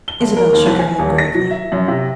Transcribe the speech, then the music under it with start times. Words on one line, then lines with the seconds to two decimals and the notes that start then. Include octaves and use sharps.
Isabel shook her head gravely.
0.08 G7
0.20 G1
0.37 A#4
0.53 D#2
0.66 C2
0.79 G#5
0.99 D#1
1.18 A#6
1.35 F#3
1.51 E5
1.72 F#2
1.88 C3